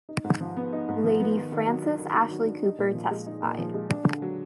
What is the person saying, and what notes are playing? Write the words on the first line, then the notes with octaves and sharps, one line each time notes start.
Lady Frances Ashley-Cooper testified.
D#4
G#2
F3
B3
D#4
G#2
F3
B3
D#3
D#3
F#3
D4
D#3
D#3
F#3
D4
D#4
A#2
F3
G#3
D#4
A#2
F3
G#3
D4
D3
F#3